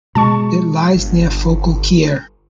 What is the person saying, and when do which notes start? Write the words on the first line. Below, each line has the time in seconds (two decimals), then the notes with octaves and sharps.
It lies near Forcalquier.
0.15 B2 G#3 A5 C#6
0.95 G1